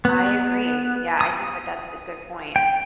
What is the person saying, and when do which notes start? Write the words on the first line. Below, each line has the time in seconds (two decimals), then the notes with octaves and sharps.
I agree, yeah, I think that that's a good point.
0.05 B3
1.21 D#6
2.56 G5